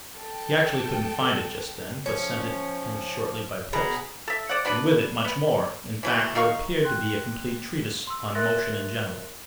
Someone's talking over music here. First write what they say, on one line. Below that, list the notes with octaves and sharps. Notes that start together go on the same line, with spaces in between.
He actually couldn't find it just then, but sent it him shortly by post, and with it much more--in fact, what appeared to be a complete treatise on motion in general.
A4 G5
F3 C#4
B2 G#4 A#5 B5
A4 E5
C5 D5 D#5 F#5
F#3 B3 D4 B4
B3
E3 F#3 A3
D#3 D#4 F5 C#6
G5 C6 F#6
C6 E6
A#4 E5 C6 F#6 A6 A#6